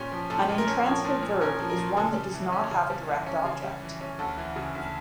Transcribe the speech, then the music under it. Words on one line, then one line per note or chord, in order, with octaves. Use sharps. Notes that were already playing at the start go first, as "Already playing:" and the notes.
An intransitive verb is one that does not have a direct object.
Already playing: A#2 C#4 G4
F3
A#2 A4
A#2
A#4
C#4
F3 C#5
A#2
A#2
C#4 A#4
F3
A#4
A#2
C#3 A4
G3
E3
C#4
C#3
G3
E3
C#4
C#3
G3
E3
C#4
D2 A4
E3
C#3
D2